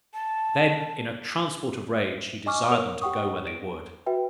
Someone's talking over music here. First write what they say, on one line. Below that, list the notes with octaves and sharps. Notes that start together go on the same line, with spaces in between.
Then, in a transport of rage, he desired them to go where they would.
A5
D#5 G#5 C#6 D6 F6
A#4 C#5 F7
G4 F#5 G5 C#6 D#6
D7
F#4 B4 E5 G5